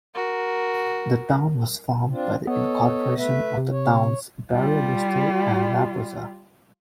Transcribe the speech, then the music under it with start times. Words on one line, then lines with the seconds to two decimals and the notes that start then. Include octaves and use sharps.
The town was formed by the incorporation of the towns Barriobusto and Labraza.
0.15 F#4 A#4
2.11 C4 D4 F4
2.47 B3 A4 C#5 D#5
3.18 A3 B4 E5
3.57 C3
3.70 C#5
4.52 G3 F4